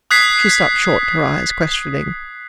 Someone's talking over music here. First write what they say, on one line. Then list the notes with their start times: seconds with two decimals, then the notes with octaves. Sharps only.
She stopped short, her eyes questioning.
0.11 D#6 F#6 G#6 B6 C7